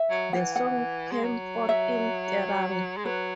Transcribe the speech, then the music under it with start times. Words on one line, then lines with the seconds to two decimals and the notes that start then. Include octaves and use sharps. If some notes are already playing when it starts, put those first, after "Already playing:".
The song came fourth in Kerrang!
Already playing: E5
0.10 F#3
0.33 E3 F#5
0.56 F#5
1.12 G#3
1.24 F#3
1.69 E5
2.97 G#3
3.05 F#3 B4